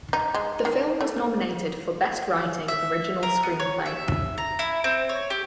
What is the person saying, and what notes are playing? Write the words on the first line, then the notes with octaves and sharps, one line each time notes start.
The film was nominated for Best Writing, Original Screenplay.
D#4
G#3
D#3
A3
E5
A#4
B3
C#5
E5
A#5
E4
C4
C#5
G4